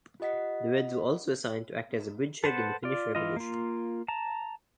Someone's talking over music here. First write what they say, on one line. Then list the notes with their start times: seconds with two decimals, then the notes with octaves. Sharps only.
The Reds were also assigned to act as a bridgehead in the Finnish revolution.
0.20 F4 G4 D#5 F#5 B6
2.44 A4 B4 C5 F#5 A5
2.84 F4 D5
3.15 E3 F4 D#5
3.36 A#3 F4
4.08 A5 A#5